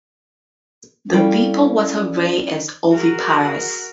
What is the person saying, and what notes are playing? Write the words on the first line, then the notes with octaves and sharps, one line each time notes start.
The deepwater ray is oviparous.
G3 C#4 E4 A4 F5 G5
F#4 G#4 A#4 F#5